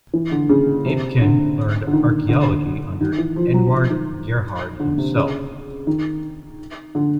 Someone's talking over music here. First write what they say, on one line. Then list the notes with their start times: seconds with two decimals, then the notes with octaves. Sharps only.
Abeken learned archeology under Eduard Gerhard himself.
0.13 E3
0.32 D3
0.49 C#3
0.86 C3
1.21 D3
1.87 D3
1.93 D#3
2.29 D3
3.01 D#3
3.18 E3
3.36 F3
3.54 F#3
3.72 F3
3.90 D#3
4.80 D3
4.98 C3
5.16 C#3
5.87 D#3
6.95 D3